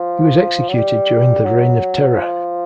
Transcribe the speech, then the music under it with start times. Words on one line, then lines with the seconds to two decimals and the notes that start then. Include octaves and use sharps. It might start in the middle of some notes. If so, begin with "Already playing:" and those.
He was executed during the Reign of Terror.
Already playing: F3
0.69 F#3
0.74 G3
1.45 F#3
2.17 F3